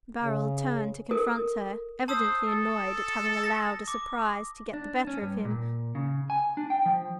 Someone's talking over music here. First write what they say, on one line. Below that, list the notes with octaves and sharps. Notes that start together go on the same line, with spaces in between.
Barold turned to confront her, evidently annoyed at having allowed a surprise to get the better of him.
C#3
A4 A#4 D#6
C5 A5 D#6 E6
A4
A#6
D6
D4
C#4
G2
A#2
C#3
G#5
D4
G5
F3